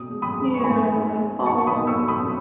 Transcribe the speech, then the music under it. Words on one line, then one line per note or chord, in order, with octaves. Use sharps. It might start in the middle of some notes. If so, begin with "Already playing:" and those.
Yeah, oh.
Already playing: B2 D#6
G#3
B5 D#6
G#3
C#6
G#2 G#5 B5
G#2
G#3
D#4 A5 C#6
B5 D#6
B2
C#6 E6
B2
B5 D#6